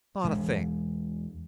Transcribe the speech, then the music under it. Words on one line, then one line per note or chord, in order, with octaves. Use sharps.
Not a thing.
E2 G#3